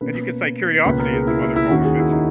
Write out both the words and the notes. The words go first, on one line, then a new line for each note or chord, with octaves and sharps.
And you can say curiosity is the mother of all invention.
B2 A#3 C#4 B4
C#2 B2 A#3 C#4 B4
A#4
G#4
E4
E4
E4
D#2 D#3 A#3 C#4 F#4
G#4
E4
D#4